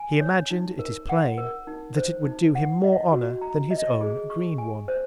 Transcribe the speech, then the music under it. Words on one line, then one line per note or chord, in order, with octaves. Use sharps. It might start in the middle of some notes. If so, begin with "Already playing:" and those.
He imagin'd, it is plain, that it would do him more Honour than his own Green one.
Already playing: G#5
C#5
D#4
A#4
F#5
A#4
D#4
C5
D#4
F#5
D#5
F#4
A#5
D#5
G#4
C#6
G#5
C5